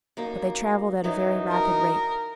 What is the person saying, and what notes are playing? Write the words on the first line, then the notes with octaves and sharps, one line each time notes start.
But they travelled at a very rapid rate.
F#2 A#3 D#4
F#2 E3 F#3 D#4
A#4